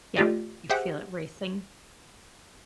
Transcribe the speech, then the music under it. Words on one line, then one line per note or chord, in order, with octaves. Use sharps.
Yep. You feel it racing?
A3 F4 G4 D5 D#5
G4 G#4 C5 E5 F#5 G5